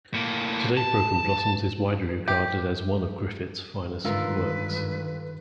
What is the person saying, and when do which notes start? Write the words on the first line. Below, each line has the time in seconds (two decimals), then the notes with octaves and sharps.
Today, "Broken Blossoms" is widely regarded as one of Griffith's finest works.
0.14 A2 A#3
0.77 A5
2.28 G4
4.05 G2 D3 D#3 G#3 F4 A#4 B4